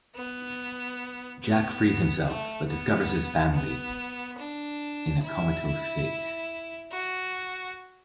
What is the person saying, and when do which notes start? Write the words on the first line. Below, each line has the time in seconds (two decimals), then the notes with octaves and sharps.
Jack frees himself but discovers his family in a comatose state.
0.16 B3
1.43 B3
2.27 A3
2.69 B3
3.54 B3
4.39 D4
5.23 E4
6.92 F#4